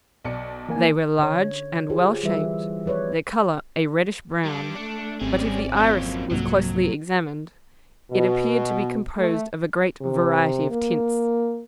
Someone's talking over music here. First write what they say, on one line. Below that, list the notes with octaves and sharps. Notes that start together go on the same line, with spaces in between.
They were large and well shaped; their colour a reddish brown; but if the iris was closely examined, it appeared to be composed of a great variety of tints.
B1 D5 C#7
E3 A#3 G#5
D3 C#5
F4 G4 G#4 C5
E3 G3 E4 B4 E5
F3 B4 C#5 D5
G3 D4 D6
A3 D4 C#7
G#1 G3 C4 C#4 G#4 D5
F2 F#3 A#3
C2 G#2 F#3 A#3
B2
A3
C3
A#3